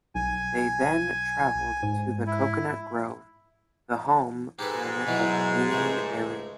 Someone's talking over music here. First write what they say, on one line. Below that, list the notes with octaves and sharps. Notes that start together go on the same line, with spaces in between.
They then traveled to the "Coconut Grove", the home planet of the alien Ariel.
B1 G#5
G#2
E4
G#2 G4 A4 B4
B2 E3 F#3
C#2 A3